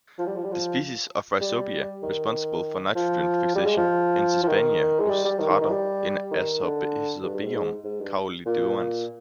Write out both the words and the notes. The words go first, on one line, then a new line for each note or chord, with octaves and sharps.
The species of rhizobia responsible for nitrogen fixation in "Sesbania rostrata" is "Azorhizobium caulinodans".
F3
G3
F3
G3
F3
G3
D#3
F3
G3
G#3
F3
F3
D#3
G#3
G3
G3
D#3
D#3
D#3
G3
D#3
D3
G2
G2
G#2
G#2
G#2
G2
A#2
A#2